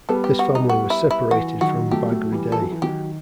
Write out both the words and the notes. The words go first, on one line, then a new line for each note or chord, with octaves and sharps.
This family was separated from Bagridae.
G3 B3 A4
G4
F#4
D#4
F#4
E4
E4
E3 F#4
D#3 F#3 F#4
F#3 A3 G4
G3
F#3 A3
E3 G3
E3 A4
F#3
E3
D#3 F#3 G4